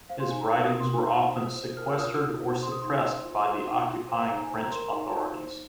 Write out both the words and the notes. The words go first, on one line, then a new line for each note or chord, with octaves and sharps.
His writings were often sequestered or suppressed by the occupying French authorities.
C5 F5
C6
D#4 G#5
A#5
A#4 F5
D#6
F4
C6
D#4
C5
F4 D#6
C5
A#4 F6
F6
F4 D#6
F6
D#4 D#6
C5
C5 C6
D#6
D#4 C6
C5
F4
C5 C6
D#4
F4
C5
D#4 A#5
G#5
C5
A#5
A#4 C6
D#4
D#4
C5